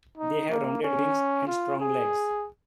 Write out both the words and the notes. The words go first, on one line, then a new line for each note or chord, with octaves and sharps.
They have rounded wings and strong legs.
D#4
A#3
C#4
F4
G#4